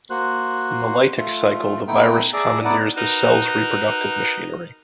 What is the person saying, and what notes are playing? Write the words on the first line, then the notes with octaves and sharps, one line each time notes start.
In the lytic cycle, the virus commandeers the cell's reproductive machinery.
A#3 F#4 C5 F#6
A3 F4
A3 B3 D#4 E4 G5
G#4 D5 E5 A5 A#5
B3 D#4 E4 D5 F#5 A5
D#4 F#4 A#4 B4